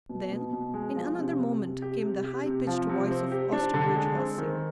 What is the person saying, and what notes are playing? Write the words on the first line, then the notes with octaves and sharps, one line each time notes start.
Then, in another moment, came the high-pitched voice of Osterbridge Hawsey.
B2
B2
B2
G#3
F3
C3
C3
C3
G4
C3
G4
C3
F3
C3
C4
G4
D4
D3
G#3
C4
D#3